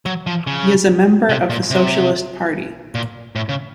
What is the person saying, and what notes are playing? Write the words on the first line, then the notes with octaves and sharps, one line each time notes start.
He is a member of the Socialist Party.
F#3
F3
C#3
C3
A#2
C3
A#2
A2
C#3